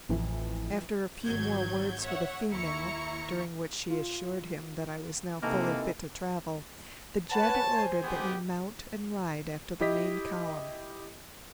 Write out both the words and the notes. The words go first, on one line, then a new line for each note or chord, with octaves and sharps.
After a few more words with the female, during which she assured him that I was now fully fit to travel, the jed ordered that we mount and ride after the main column.
A1 F2 E3
G#1 F#3 G6 G#6
C#5 E5 F#5
D#2 E4 A#5 C#6 C#7
F4
C3 D#3 E3 A#3 A4
B4 C#5 F#5 G#5 A5
C5 G#5
G#1 B3 G4
E4 G4 D#5 B6